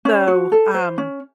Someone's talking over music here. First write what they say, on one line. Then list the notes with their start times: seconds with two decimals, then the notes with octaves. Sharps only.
So, um
0.05 C#4
0.28 F#4
0.52 A4
0.74 C5
0.98 C#4